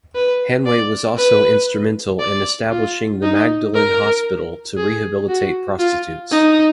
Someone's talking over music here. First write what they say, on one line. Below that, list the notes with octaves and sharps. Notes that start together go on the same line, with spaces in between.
Hanway was also instrumental in establishing the Magdalen Hospital to rehabilitate prostitutes.
B4
D5
B4
D5
F4
D#4
A#4
G#4
F#4
F4
D#4